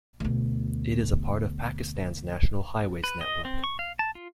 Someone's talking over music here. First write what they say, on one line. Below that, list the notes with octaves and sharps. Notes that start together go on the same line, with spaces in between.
It is a part of Pakistan's National Highways network.
D2 B2
B4
D#5
C4
C#6
F5
A5
F4